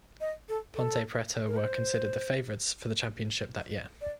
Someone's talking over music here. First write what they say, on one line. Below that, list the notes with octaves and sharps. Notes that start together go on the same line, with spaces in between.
Ponte Preta were considered the favorites for the championship that year.
D#5
A4
A4
A#4
C5
D5